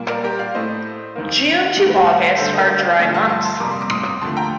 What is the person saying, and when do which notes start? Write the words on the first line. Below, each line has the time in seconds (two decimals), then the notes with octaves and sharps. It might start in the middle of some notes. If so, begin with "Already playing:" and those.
June to August are dry months.
Already playing: A#2 G3 A#3
0.09 A#4 D5
0.24 G4 A#4
0.39 D5 F5
0.54 A2 A3 C5 D#5
1.16 D#2 D#3 A#3
1.77 G2 D#3 A3
2.38 D2 D3 G3 A4 C5
2.53 D#5
2.58 A#4 D5
2.79 D5 F5
2.99 G2 D3 F3 A3 D#5 G5
3.14 F5 A5
3.29 A5 C6
3.45 A5 C6
3.60 F2 C3 G3 A#3 A#5 D6
3.71 C6
3.81 D6
3.91 C6 D#6
4.21 D#2 D3 F3 A3 A5 C6
4.37 G5 A#5